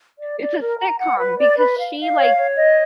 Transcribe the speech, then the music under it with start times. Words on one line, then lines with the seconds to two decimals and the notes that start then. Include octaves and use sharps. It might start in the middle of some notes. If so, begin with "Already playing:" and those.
it's a sitcom because she, like,
0.20 D5
0.40 D5
0.60 A#4
0.79 A#5
0.99 F#5
1.18 B4
1.38 D5
1.58 B4
1.78 F5
1.98 F5
2.18 C#5
2.37 C#5
2.56 D#5